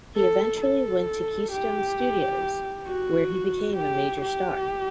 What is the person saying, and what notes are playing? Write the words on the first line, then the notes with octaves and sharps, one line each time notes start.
He eventually went to Keystone Studios, where he became a major star.
A4
A4
G4
F#4
G4
G4